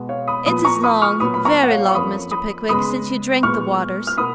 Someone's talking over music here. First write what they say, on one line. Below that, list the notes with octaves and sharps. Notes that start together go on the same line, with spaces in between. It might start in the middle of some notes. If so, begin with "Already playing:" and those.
It is long--very long, Mr. Pickwick, since you drank the waters.
Already playing: B2 G#3 B3
C#5 F5
B5 D#6
A#2 F3 B3 B5 D#6
A#5 C#6
B5 D#6
C#6 F6
A#2 F#3 B3 B5 D#6
B5
A#5 C#6
F#5
C#5 F5
C#6
F2 F3 A#3 C#4 B5 D#6
B5 D#6
C#3 G#3 B3 B5 D#6
A#2 G#3 B3 C#6 F6
F6
B2 A#3 B5 D#6